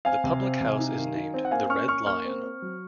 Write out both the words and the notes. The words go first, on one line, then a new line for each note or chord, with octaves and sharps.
The public house is named 'The Red Lion'.
C4 F5 G#5
C3
C4
C3
D#4
D#3
D#4
C4
F#5
A#3 F5 G#5
C#4 C#6 F6
C#4 C#6 F6
A#3 C#6 F6
C4
C4
F#3